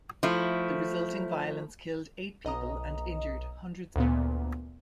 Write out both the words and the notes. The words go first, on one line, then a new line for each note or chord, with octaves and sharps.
The resulting violence killed eight people, and injured hundreds more.
F3 A3 E4
B1 D#5 A#5 D#6
D2 A#2 B3